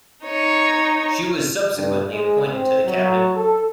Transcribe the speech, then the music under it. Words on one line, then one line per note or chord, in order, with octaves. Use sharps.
She was subsequently appointed to the Cabinet.
D#4 C#5
G2
G#3
C4
F#3
A4